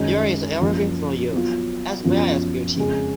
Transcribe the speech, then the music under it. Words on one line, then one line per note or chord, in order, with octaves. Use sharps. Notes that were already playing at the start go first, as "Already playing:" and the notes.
There is every thing for use as well as beauty.
Already playing: F#2 D#3 G#3
F#2 F3 A#3
F#3 B3 F4
F#2 F3 B3 F4
F2 C#3 G#3 C#4 G#4